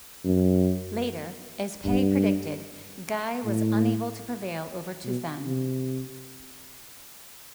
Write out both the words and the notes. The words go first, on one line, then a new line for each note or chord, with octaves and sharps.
Later, as Pei predicted, Gai was unable to prevail over Tufan.
F#2
G2
A2
B2
C3